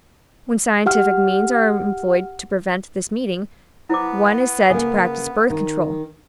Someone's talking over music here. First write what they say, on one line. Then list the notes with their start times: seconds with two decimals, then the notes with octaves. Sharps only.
When scientific means are employed to prevent this meeting, one is said to practice birth control.
0.86 G4 F#5 F6
3.90 B3 E4 C5 D6
4.70 C#3 A#3 A4 F#5 G#5
5.50 D#3